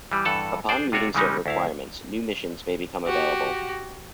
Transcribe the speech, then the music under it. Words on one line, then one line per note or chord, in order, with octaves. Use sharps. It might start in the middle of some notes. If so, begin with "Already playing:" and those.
Upon meeting certain requirements, new missions may become available.
E3 G3
G2 E3 A4 F#5 A5
D4 G#4 C5 D5
C3 F4 F#4 C#5 D5
C#3 E3 G3 G#3 C#4 D#4
D2 E4 F5
F#4 G4